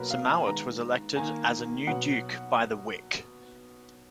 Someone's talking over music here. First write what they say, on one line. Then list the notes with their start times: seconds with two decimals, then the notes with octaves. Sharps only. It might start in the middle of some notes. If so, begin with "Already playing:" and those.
Siemowit was elected as new duke by the "wiec".
Already playing: B2 F#3 A#3 A#4 B4
0.10 F5
0.28 G#5
0.45 D#3 G#3 B3 A#5
1.16 D#3 A#3 G#5
1.87 B2 F#3 B3 F#5